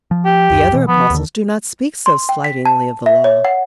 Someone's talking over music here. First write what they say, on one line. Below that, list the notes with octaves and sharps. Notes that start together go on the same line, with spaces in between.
The other apostles do not speak so slightingly of the Law.
F3
G4
C#2 F#2
B2 E3
F3 B3
D#2 D3
C6
G5
B6
A5
E5
C#5
F#5